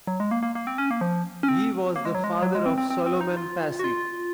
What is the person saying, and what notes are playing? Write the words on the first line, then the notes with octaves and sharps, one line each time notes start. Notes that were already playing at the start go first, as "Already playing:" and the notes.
He was the father of Solomon Passy.
F#3
G#3
A#3
A#3
A#3
C4
C#4
A#3
F3
C#4
C4
A#3
G#3
F#3
G#3
F#3
G#3
C4
C4
C4
C4
D#4
F4
F#4
F4